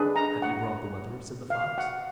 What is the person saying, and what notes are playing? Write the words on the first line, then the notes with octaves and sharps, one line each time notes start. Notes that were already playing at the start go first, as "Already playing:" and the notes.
'Have you brought the wether?' said the Fox.
Already playing: D4 G#4 B4
A#5
F#5
F5
F#5